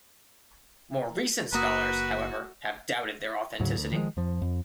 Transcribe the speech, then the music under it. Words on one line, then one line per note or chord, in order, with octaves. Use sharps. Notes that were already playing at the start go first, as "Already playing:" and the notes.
More recent scholars however have doubted their authenticity.
F#1 A#3 F#4 B4 A#5 D#6 E6
D2 G#2 C#3 F#3
D2
D#3 F3 G3 G#3
F2 F3
F2